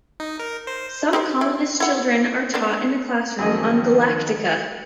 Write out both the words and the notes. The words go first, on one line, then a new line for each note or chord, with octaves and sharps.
Some Colonists's children are taught in a classroom on Galactica.
D#4
A#4
C5
D#4 G4 C5
E4
E4 F#5
A#3 B3 D4
F#2 D#3 F3 G#4 D#5